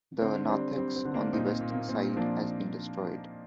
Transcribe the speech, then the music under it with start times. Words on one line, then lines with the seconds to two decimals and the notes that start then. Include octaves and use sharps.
The narthex on the western side has been destroyed.
0.21 D3 C4
0.44 D4
0.49 G3 C4
0.77 G3 C4
0.96 C4
1.05 D3
1.14 A#3 D4
1.33 A#2 C4 D#4
1.51 C4
1.61 A#2
1.70 A#3
1.89 A#2 C4
2.17 F3 A#3 D4